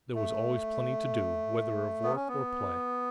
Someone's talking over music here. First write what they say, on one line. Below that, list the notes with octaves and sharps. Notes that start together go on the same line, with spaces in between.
There was always plenty to do, whether of work or play.
A3
B3
C#4
B3